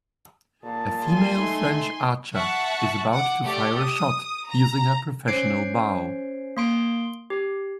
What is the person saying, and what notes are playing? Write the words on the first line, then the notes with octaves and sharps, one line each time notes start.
A female French archer is about to fire a shot using her professional bow.
A#2 G#4 A5
G#5 C6
G#3 A3 D#4
E5 F#5 A5 C#6 F#6
F#5 D6
A3 G4 D5
D#6
A#5
C#4 C5 G#6 C7 D7
A#3 C6 D7
G4